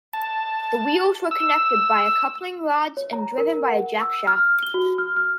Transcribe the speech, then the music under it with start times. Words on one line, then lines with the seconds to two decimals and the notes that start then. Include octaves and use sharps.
The wheels were connected by coupling rods and driven by a jackshaft.
0.13 A5
1.31 E6
2.97 C#5
3.13 A#5
3.38 A#4
3.68 F#5
4.01 E6
4.27 F6
4.63 G7
4.74 F#4
4.98 F6
5.16 F6